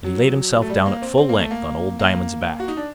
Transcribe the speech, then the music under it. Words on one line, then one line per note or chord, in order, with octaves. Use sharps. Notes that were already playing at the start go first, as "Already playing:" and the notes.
And he laid himself down at full length on old Diamond's back.
F#3
A3
G3
A#3
C4
C4
A#3
A3
A#3
A#3
F#4
D#4
D4